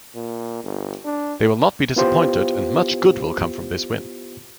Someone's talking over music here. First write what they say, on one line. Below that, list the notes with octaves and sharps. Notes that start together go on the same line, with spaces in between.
They will not be disappointed and much good will come from this win.
A#2
G1
D4
B3 E4 F4 G4 C5